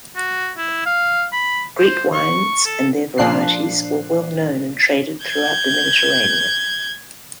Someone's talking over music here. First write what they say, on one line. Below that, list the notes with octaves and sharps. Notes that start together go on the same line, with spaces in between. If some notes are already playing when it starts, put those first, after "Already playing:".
Greek wines and their varieties were well known and traded throughout the Mediterranean.
F#4
E4
F5
B5
C5
C#6
A4
A#2 F3 D4 F#6 C7
G6 G#6